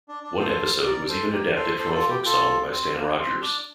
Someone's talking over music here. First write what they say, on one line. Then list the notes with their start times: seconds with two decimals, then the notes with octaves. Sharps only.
One episode was even adapted from a folk song by Stan Rogers.
0.08 D4
0.23 D4
0.39 A4 C5
0.86 A#4 D5
1.08 A4 C5
1.32 G4 A#4
1.55 A4 C5
1.79 A4 C5
1.94 F4 A4
2.10 G4
2.25 F4 A4
2.72 C4
2.95 A#3
3.18 C4
3.41 D4